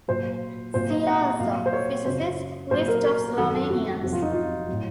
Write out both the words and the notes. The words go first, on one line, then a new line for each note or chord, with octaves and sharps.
See also: Physicist, List of Slovenians.
A#2 F#3 C5
A#2 F#3 C5
D#5
F#5
A#2 F#3 F5
C5
C#5
F#2 C#3 F#3 C5
A#2 F#3 C5
A#4
A#4
F#2 D#3 F#3 A4
A4
F#4
F2 C3 F#3 F#4
F4
D#4
F4
A2 F#3